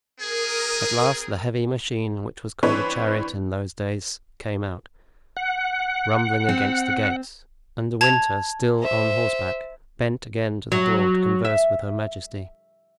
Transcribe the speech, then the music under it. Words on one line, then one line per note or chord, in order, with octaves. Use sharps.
At last the heavy machine, which was called a chariot in those days, came out, rumbling against the gates, and De Winter, still on horseback, bent again to the door to converse with her majesty.
C4 G#4 A#4 D#6
E3 C4 D4 E4 B4 C#5
F#5
C4
A5 G#6 F7
C5 E5
F#3
E5